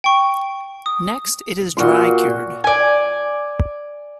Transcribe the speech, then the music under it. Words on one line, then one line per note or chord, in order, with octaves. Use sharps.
Next it is dry-cured.
G5 C#6
D#6
A#2 F#4 C6
D5 G#5